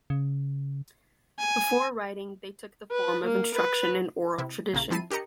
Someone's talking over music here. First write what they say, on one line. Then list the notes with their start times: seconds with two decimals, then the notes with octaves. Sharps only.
Before writing, they took the form of instruction in oral tradition.
0.10 C#3
1.39 G#5
2.91 B4
3.25 A#3
3.54 B4
4.38 C3 E4
4.73 A#1 C#3 A#3
4.90 F3 C4 E4 A5 C7 D#7
5.11 D4 G4 A#4 D#5 A#5 C#7